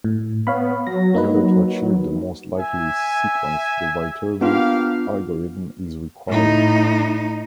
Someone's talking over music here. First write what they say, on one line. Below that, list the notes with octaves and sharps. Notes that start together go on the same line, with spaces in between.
In order to achieve the most likely sequence, the Viterbi algorithm is required.
A2
B3 C#5 F5 B5
F#3 A#6
A#3 D#4 B4
E5 G#5
A#3 B3 D4 F4 G4 F5
A2 D#4